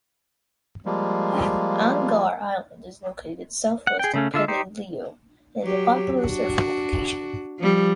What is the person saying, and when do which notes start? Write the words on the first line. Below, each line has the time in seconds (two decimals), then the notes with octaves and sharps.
Angaur Island is located southwest of Peleliu, and it is a popular surfing location.
0.86 F3 G3 G#3 A#3
3.87 F#5
3.99 G#4 G5
4.14 C#3 A3 C#4
4.34 D3 F4 E5
4.48 D#4 G4 C5
5.62 F#3 G4
6.18 D4 F#4
7.59 F3 G3